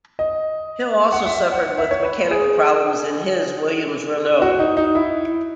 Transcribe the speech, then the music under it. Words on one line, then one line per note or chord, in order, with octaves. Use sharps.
Hill also suffered with mechanical problems in his Williams-Renault.
D#5
F#5
E5
F#5
E5
C#5
B4
G#4
F#4
D#4
D#4
E4